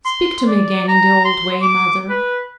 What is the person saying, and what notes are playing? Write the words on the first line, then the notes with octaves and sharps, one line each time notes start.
Speak to me again in the old way, mother.
C6
D5
A#5
C6
D6
B4